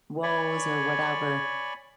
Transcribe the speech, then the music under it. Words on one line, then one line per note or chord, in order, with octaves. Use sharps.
woes or whatever.
C#5 D5 G#5 B5 C#6